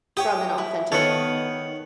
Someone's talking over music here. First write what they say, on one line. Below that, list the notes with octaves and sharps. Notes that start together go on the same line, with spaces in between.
from an authentic
G4 C#5 G5 D#6
E4
D#3 B3 A4 C#5 F#5